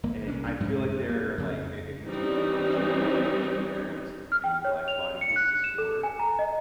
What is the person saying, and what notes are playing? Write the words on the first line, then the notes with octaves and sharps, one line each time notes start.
Eh, I feel like they're like i if you do like fiction, nonfiction pairings, and you like Body Keeps the Score,
G1 A#3
C2 C#4 D4
F2 G#2 C3 F#3
A#3
F2 C#3
E3 G3 C4 C#4 D#4
F6
G5
C#5
F7
C#7
F#6
E7
A4
G#5
A#5
D#5